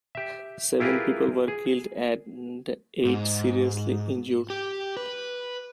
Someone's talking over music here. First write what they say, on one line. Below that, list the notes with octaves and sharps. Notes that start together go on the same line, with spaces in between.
Seven people were killed and eight seriously injured.
G4 E5
E4 F4 G4 G#4 A#4 B4
G#4
G#2
G4
B4